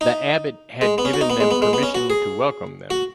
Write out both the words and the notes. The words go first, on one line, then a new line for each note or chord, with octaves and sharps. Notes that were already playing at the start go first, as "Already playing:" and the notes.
The Abbot had given them permission to welcome them.
D#4
G#3
B3
C#4
F#4
D#4
B3
G#3
B3
G#3
B3
C#4
F#4
G#4
F#4